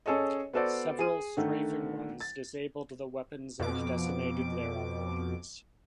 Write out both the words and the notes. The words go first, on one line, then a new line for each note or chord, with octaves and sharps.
Several strafing runs disabled the weapons and decimated their operators.
C#4 G#4 A4 C#5 D#5
B3 F#4 A4 C5 D5
G#4 D#7
D3 D#3 A3
A6
F2 B2 D6